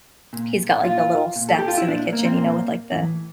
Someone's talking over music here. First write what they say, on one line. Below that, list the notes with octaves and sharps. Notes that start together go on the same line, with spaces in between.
he's got, like, the little steps in the kitchen, you know, with, like, the
A#2
A#2 F4
A#2
A4
G4
F4
E4
A#2 D4
A#3
C4
A#2 A#3
A2 E3